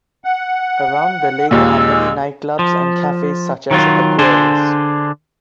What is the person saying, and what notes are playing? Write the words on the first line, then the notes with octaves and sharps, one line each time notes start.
Around the lake are many nightclubs and cafes such as Aquarius.
F#5
D#2 A#2 G#3 E6
F3
D#3 F#3 F4
D3 D4 G#4 C5